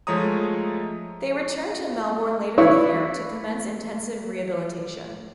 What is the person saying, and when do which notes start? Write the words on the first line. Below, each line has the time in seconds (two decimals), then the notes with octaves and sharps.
They returned to Melbourne later in the year to commence intensive rehabilitation.
0.07 F3 G#3 A3 C#5 A#5 D#6
2.58 E4 B4 C#5 D5 F5 C#6